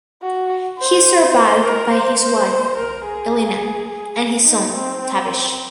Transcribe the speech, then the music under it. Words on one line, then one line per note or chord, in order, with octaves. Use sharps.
He is survived by his wife, Elena, and his son, Tavish.
F#4
C5
A#4
C5
C5
A#4
G#4
G#4
D#4
C4
C4